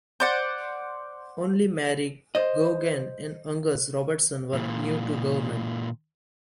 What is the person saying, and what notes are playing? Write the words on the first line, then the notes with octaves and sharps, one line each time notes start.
Only Mairi Gougeon and Angus Robertson were new to government.
C5 D5 F#5
C5 D#5
A#2 E3